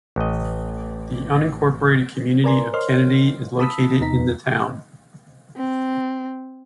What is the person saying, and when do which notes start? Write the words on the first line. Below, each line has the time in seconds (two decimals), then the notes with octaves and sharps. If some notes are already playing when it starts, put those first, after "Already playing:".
The unincorporated community of Kennedy is located in the town.
0.16 A1 D#5
2.44 A#4 B4 D5 G#5 A#5 C6
2.74 A#4 C5 C#5 D#5 C6 F6
3.60 A5 B5 D#6 E6 B6
4.01 E2 C3 B3 D#4 A#5 B6
4.19 F2
5.56 C4